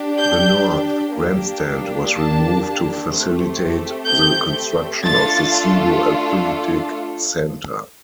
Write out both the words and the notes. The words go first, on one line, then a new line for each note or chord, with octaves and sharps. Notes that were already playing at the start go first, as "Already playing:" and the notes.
The north grandstand was removed to facilitate the construction of the Sebo Athletic Center.
Already playing: D4 G4
G6
A#3 D4 G4
A5
A3 C4 G4
G6
A3 D4 F4 A4 A6